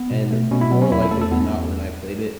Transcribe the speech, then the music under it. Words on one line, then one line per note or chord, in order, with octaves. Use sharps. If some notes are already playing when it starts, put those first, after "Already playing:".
and more likely than not when I played it,
Already playing: B3
B2
A3
B2 C#4
E4
F#3 B3
C#4
E2 E4
E4
A3 A4
A4
E2 B3
C#4